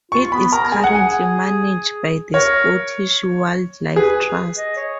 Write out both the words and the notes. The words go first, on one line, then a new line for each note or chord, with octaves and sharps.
It is currently managed by the Scottish Wildlife Trust.
F4 C#6
B3 B5
A#4 A#5
G#4 G#5
F#5
G#5
A#4 C#5
G#4 B4
D#5
C#5